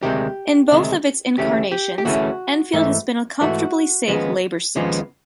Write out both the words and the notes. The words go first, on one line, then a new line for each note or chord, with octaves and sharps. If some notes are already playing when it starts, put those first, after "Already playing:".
In both of its incarnations, Enfield has been a comfortably safe Labor seat.
D2 C3 D#3 G#3 G4
D2 C3 D#3 G#3
D2 C#3 E3 A3 C#4 G4
G4
G4
D2 C#3 E3 A3 C#4 F#4
G#2 E3 A3
G#2 E3 A3 F#4
D#2 C#3 F3 G#3 B3
D#2 C#3 F3 G#3 B3